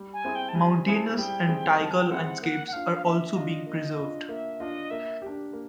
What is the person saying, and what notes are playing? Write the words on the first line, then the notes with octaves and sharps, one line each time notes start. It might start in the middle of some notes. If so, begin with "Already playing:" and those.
Mountainous and taiga landscapes are also being preserved.
Already playing: G3
G#5
C4 E4 G#4
G5
A5
G3 G#5
C4 E4 G#4 G#5
A5
G#5
G3 G5
C4 E4 G#4
G3 A5
G#5
G5
C4 E4 G#4 F#5
A#3 F#5
F#5
D4 F4 F5
F5
A#3 E5
D4 F4 D#5
A#3 D#5
D4 F4
A#3 E5
D4 F4 D#5
A#3 E5
D4 G4
A#3